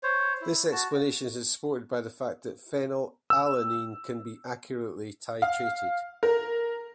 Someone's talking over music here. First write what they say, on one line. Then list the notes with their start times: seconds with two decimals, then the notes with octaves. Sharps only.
This explanation is supported by the fact that phenylalanine can be accurately titrated.
0.03 C5 C#5
0.42 E4
0.72 F#4 A5
3.30 E6
5.42 F5
6.23 A#4